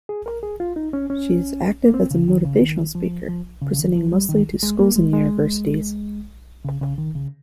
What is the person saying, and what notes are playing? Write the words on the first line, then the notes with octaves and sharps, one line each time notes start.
She is active as a motivational speaker, presenting mostly to schools and universities.
G#4
A#4
G#4
F4
D#4
C#4
C#4
A#3
C4
C#3
D#3
C#3
D#3
F3
F3
C#3
C#3
D#3
F3
G3
D#3
G#3
A#3
G#3
G#3
C#3
C#3
D#3
C#3